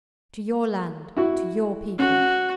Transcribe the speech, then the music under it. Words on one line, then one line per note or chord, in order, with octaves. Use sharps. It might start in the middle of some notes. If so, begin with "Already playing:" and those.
To your land--to your people.
E4 F#4
C#4 F#4